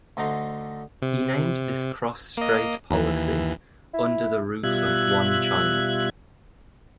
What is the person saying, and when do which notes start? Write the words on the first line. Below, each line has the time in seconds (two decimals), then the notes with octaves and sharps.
He named this cross-strait policy "Under the Roof of One China".
0.17 D2 D3 D#4 A#5 C6
1.02 C3
2.37 A#3 D#5
2.91 D#2 E3
3.94 E4
4.63 B2 G3 F4 E5 F#6 G#6